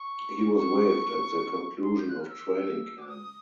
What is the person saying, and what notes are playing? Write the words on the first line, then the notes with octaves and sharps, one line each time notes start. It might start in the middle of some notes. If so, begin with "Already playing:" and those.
He was waived at the conclusion of training camp.
Already playing: C#6
C#6
C6
G6
F#6
F6
E6
D6
D#6